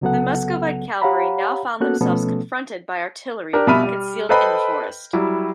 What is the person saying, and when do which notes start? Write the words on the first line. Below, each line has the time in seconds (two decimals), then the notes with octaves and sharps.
The Muscovite cavalry now found themselves confronted by artillery concealed in the forest.
0.01 C2 C#3 F#3 B3 A4 F#5
1.02 G4 C#5 F5 F#5 A#5 B5
1.80 A#3 B3 C#4 F#4 A4 F#6
2.01 B2 F3 A3 B3 C#4 A4
3.53 D4 G4 A#4
3.67 B2 G3 E5 B5 F6 D#7
3.84 G3
4.29 A4 B4 C5 D#5 G5 B5
5.13 F#3 G3 E4